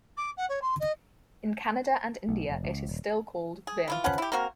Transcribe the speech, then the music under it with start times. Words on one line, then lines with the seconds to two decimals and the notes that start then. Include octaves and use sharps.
In Canada and India, it is still called Vim.
0.17 D6
0.37 F#5
0.49 C#5
0.62 C6
0.79 D#5
2.29 B1
2.50 F1
2.64 C#2
2.89 D#1
3.67 G#4
3.88 E3 E4 F4
4.04 F3 C#4 B4 F#5
4.18 E4 G4
4.32 A#3 C4 F#4 A#4